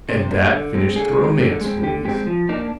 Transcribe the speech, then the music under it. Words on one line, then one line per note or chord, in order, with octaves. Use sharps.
"And that finished the romance, Louise."
C3 C5
G3 A#3 D4
D3
G#3 C4
D3 G#4
G#3 C4
D3
G#3 C4
D3 G4
G#3 C4 G4
F3
A#3 D4 D#4